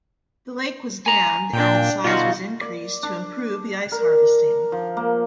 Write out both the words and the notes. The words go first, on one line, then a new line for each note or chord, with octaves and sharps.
The lake was dammed and its size was increased to improve the ice harvesting.
G#5 A#5
A#2 D4 G5
B2 D3 D#4 F4 F#4
D5
D4
A#4
F3
A#3